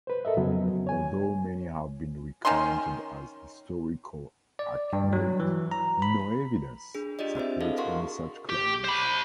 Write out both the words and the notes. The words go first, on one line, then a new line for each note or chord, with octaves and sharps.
Although many have been recounted as historical accurate, no evidence supports any such claims.
B4 C5
A4 A#4 D#5 E5
F2 C#3 F#3 B3 C#4
C#5 G#5
D#3 C#4 D#4 C6
D5
G2
F#3
E3
A#5
B5
D4 G#4
D4 F4 G4 D5 D#5
C4 D4 C5 E5
E4 F#4 G#4 A4 D#5 F5
A#4 F5 F#5 C6 C#6
G4
C5 B5